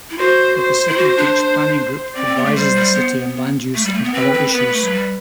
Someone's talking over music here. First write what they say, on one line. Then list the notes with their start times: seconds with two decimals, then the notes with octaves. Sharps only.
The Pacific Beach Planning Group advises the city on land use and other issues.
0.11 E4
0.18 F#4 C5
0.57 C5
0.88 E4
0.98 F#4
1.17 D4
2.16 C4 D5
2.26 C4
2.36 B3
2.46 A3
2.55 G3 C5
2.76 G3
2.95 B3
3.74 A3
3.85 G3
3.94 A3
4.04 B3
4.14 C4 B4
4.34 C4
4.53 B3 B4
4.67 B3
4.73 A3
4.85 F#3
4.93 G3